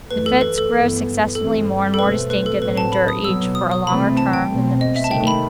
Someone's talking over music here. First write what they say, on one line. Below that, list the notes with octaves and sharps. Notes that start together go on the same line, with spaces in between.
The fits grow successively more and more distinctive, and endure each for a longer term than the preceding.
F#2 E3 A3 B4
A4
B4
A4
G2 E3 B3
G2 E3 A3 C4 A4
A4
B2 A3 C4 B4
B4
A4
A2 F#3 C4 B4
A5
B5
D#6
B2 F#3 B3 E6
D#6
D#6
C3 E3 A3 C4 B5
A5
G5
B2 A3 C4
D#5
E5
A5
C3 D#3 A3 C4 G5
B5